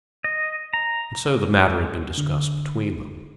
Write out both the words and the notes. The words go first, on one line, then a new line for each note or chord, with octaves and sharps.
And so the matter had been discussed between them.
D#5
A#5
D3